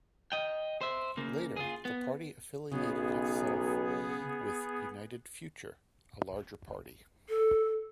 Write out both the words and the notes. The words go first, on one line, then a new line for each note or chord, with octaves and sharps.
Later, the party affiliated itself with United Future, a larger party.
D#5 G5
C5 E5
C#3 A#3
F4 G#4
B3
B1 C#3 B3 G#4
A4